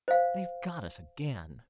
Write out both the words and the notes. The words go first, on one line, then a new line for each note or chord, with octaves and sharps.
"They've got us again."
C5 F5